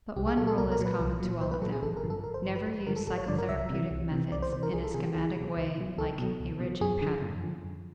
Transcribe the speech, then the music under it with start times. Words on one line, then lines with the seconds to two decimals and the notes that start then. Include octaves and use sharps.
But one rule is common to all of them: never use psychotherapeutic methods in a schematic way like a rigid pattern.
0.16 C2 G4
0.27 G#4
0.37 A#2 F#3 A4
0.47 A4
0.58 C2 A#4
0.72 A#4
0.79 A#2 F#3
0.86 B4
1.00 C2
1.20 A#2 F#3
1.41 C2 C5
1.51 B4
1.62 F#3 A4
1.65 A#2
1.72 G#4
1.82 A1 A4
1.97 A#4
2.03 G2 D3 F3
2.10 A4
2.24 A1 A#4
2.34 C5
2.45 G2 D3 F3 C5
2.55 B4
2.66 A1 B4
2.86 G2 D3 F3 A#4
2.96 A4
3.07 A1 A4
3.18 C#5
3.28 G2 D3 F3 D5
3.39 A#4
3.49 C2 E5
3.70 C3 E3
3.90 C2
4.11 C3 E3
4.31 C2 D5
4.42 C5
4.53 C3 C5
4.57 E3
4.63 A#4
4.74 C2 G#4
4.84 A4
4.94 C3 G#4
4.98 E3
5.05 G4
5.15 C#2 G#4
5.35 B2 F#3
5.56 C#2
5.77 B2 F#3
5.98 C#2 A4
6.18 B2 F#3
6.40 C#2
6.60 B2 F#3
6.81 F#2 G#4
7.02 D3 F3
7.22 F#2
7.43 D3 F3
7.64 F#2